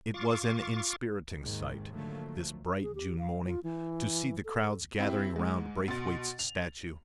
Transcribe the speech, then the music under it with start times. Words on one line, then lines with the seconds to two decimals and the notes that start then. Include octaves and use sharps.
It was an inspiriting sight, this bright June morning, to see the crowds gathering round Braithwaite's statue.
0.14 F4 F5 C#6 D6 A6
1.40 D#2 G#2 C3 D#3
1.91 D3 F3 F#3 A3 A#3
2.83 G#4
2.95 G4
3.19 F5
3.46 F4
3.64 E3
4.45 A4
4.99 C4 E4 G4
5.36 G#2 G#3
5.88 B2 C6 A6
6.39 F7